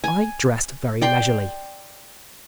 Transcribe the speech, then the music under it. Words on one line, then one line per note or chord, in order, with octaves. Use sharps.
I dressed very leisurely.
G#5
D5 G5 C6